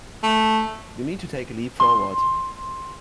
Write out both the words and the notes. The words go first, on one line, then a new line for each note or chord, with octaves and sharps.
You need to take a leap forward.
A3
C6